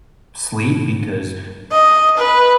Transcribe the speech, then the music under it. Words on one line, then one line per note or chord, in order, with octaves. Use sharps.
sleep, because
D#5
B4